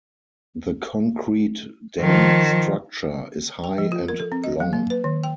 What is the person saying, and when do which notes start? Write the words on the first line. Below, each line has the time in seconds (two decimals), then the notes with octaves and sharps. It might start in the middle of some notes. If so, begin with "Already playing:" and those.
The concrete dam structure is high and long.
2.01 D#3 F3
3.64 G5
3.78 F3
3.92 F4
4.09 A#4
4.20 A4
4.32 C4
4.44 D#5
4.60 F#3
4.73 A#3
4.90 B4
5.04 D#3
5.24 G5